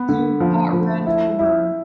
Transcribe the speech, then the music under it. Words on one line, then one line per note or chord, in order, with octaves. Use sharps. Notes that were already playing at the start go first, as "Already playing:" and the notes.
You got run over.
Already playing: B3
D3
F3
F3
E4
E4